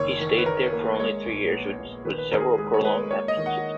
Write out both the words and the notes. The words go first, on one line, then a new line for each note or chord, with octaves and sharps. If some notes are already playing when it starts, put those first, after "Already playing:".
He stayed there for only three years, with several prolonged absences.
Already playing: F#1 D#3 C#5
D#3
B4
D#3 A#4
A#3
G#3 C#5
A#1
B3
A#1
D#3 B4
B4
D#3 A#4
G#4
A#4
G#3 G#4
C#5
G#3 B4
A#3 C#5
D#5
D#3
F#5